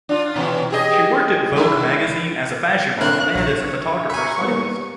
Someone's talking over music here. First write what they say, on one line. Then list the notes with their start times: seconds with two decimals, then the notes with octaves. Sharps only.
She worked at "Vogue" magazine as a fashion model, and as a photographer's stylist.
0.09 D4 F4
0.36 B2 E3 C#4
0.71 G4 G#4 D#5
1.14 G#4
1.56 G#3 D4 E4
3.01 D3 C4 D4 A#4 F5 F#6
3.35 A#1 F#3 C#5
4.10 E5 G#5 A#5 B5 C#6
4.41 G3 A#3 B3